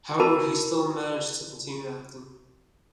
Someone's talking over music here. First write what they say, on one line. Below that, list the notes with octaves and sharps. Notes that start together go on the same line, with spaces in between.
However, he still managed to continue acting.
E4 F#4 A#4 A5 B5